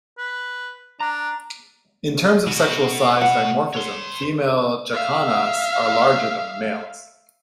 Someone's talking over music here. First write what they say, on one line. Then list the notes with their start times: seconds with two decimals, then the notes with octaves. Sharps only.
In terms of sexual size dimorphism, female jacanas are larger than the males.
0.18 B4
1.00 D4 A#5
2.47 B2 F#4
3.21 F#5
3.73 C#5 C6
4.92 E5 F5